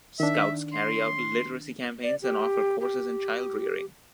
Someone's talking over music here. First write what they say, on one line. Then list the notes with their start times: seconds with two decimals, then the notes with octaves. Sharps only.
Scouts carry out literacy campaigns and offer courses in childrearing.
0.20 D#3 D4 E5
0.73 C6
2.03 D5
2.22 G4
2.80 G4